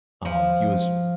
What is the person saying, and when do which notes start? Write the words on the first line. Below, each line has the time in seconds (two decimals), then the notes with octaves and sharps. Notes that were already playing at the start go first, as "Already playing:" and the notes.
Um, he was
0.25 F3